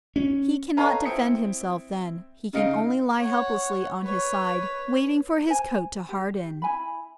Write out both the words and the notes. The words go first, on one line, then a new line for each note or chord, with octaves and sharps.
He cannot defend himself then; he can only lie helplessly on his side, waiting for his coat to harden.
C#4
A4 B4 C#5 D#5 F5 A#5
C4 E4 G5 D#6 C#7
C#3 D#4 D#5 F5 C#7 D7
C#5 F#5
B4 C#5
C5 G#5
G4
E4 G#5 B5